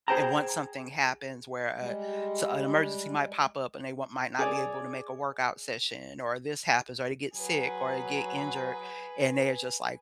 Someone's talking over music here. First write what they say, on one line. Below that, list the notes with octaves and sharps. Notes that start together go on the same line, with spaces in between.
and once something happens where a so, an emergency might pop up and they want might not be able to make a workout session or this happens or they get sick or they get injured, and they are just, like
G#4 A#4 C5 G5 A5 A#5
G3 G#3
G#4 C#5 D5
F#3 G#4 B4